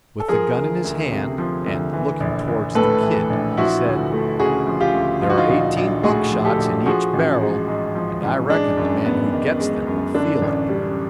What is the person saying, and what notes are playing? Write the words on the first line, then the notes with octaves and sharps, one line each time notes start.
With the gun in his hand, and looking towards the "Kid," he said: "There are eighteen buckshot in each barrel, and I reckon the man who gets them will feel it."
A4
F3 G#4 A#4
D2
D2
C3
F3
D2
E3
A#1
A#1
A2 A4 B4
E3
A#1
F3 E4 F#4
D2
A3
C#3 F#4 G#4
F3
F4 G4
D2
F3 F4
F#4
D#4 F4
A#1
A#1
A2 F#4 G#4
F3
G4 A4
A#1
F3 F#4 G#4
A1
G#3
G#2
F3
A1
G#3 D4
F#2
B3
D#3
G#3
F#2
D3 D4
A1
G3